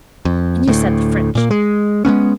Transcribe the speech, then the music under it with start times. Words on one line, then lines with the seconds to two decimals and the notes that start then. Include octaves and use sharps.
And you said the French...
0.25 F2
0.68 D2 A2
1.35 A#2 A#3
1.51 G#3
2.05 G#3 A3 B3 C#4